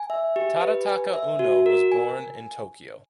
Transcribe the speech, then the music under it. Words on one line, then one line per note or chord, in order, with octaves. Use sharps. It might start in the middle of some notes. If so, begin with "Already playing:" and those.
Tadataka Unno was born in Tokyo.
Already playing: G#5
E5
G4
B4
G#5
E5
F#4
A#4
G#5